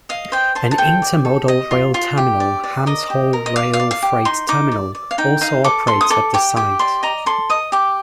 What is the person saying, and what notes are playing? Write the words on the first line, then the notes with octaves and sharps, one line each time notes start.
An intermodal rail terminal Hams Hall Rail Freight Terminal also operates at the site.
D#5 F5
C5 G5
C5 A5
A5
A4 G5
D5
A4
D#5
F4
F4
G4
D5
D5
A#4 D#5
G4
A#4
D#5
D5 F5
F5
D5
F5
G4
D#4 C6
D#4 D6
D5
D5
F5
D#4 G5
D#4 F5
A4 D6
A4 C6
D#6
A4 D6
G4 D6
G4 D6
D5 C6
D#5 A#5
A4 C6
D#5 D#6
G4 D6